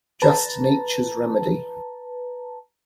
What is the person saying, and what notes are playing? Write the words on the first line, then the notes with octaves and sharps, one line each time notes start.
Just Nature's remedy.
B4 A5 A#5